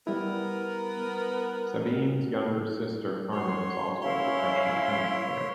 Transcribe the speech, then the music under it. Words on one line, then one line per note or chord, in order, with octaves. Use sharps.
Sabine's younger sister, Carmen, is also a professional tennis player.
G3 B3 E4 A#4
F#4 C#5 C6
C#4 E4 C#5 F5 C6